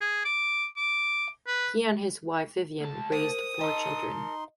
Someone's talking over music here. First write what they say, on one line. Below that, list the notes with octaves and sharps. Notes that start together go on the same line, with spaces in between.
He and his wife Vivien raised four children.
G#4
D6
D6
B4
D2 A5
A#4 C5 D#6
D#4 A#4 D#5 A5 C6